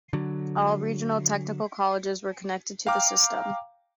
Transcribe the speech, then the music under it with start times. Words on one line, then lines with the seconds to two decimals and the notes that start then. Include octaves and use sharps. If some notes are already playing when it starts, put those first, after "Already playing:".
All Regional Technical Colleges were connected to the system.
0.13 D3 F#3
2.87 F5 G5 A#5 D6 F6